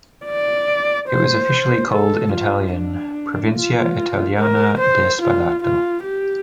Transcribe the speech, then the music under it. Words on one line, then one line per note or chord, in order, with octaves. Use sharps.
It was officially called in Italian: "Provincia italiana di Spalato".
D5
C5
A4
F4
D4
F4
A#4
C5
F4
F4
G4